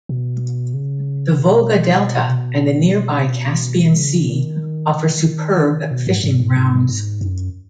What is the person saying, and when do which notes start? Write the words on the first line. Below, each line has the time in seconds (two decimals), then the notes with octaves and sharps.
The Volga Delta and the nearby Caspian Sea offer superb fishing grounds.
0.09 B2
0.74 C#3
1.39 B2
3.97 C#3
4.29 D#3
5.91 B2
6.07 G#2
6.24 G#2
6.40 G#2
6.56 G#2
6.89 G#2
7.21 F#2